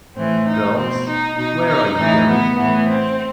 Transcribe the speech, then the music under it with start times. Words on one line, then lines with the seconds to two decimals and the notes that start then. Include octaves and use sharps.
Girls, where are you going?
0.16 A2 E3 C4
0.47 D#4
0.76 B2 C4
1.07 D#4
1.37 B2 D#4
1.67 D#4
1.98 A2 E3 D#4
2.29 B3
2.58 A2 E3 B3
2.89 C4